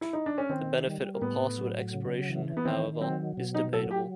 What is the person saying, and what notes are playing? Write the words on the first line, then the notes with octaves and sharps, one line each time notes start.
The benefit of password expiration, however, is debatable.
E4
D#4
D4
C#4
D#3 C4
G3
A#3
A2 B3
F#3
C#3
E3
B3
D#3 C4
F#3 C4
B2
D#4
F#3 A4
G4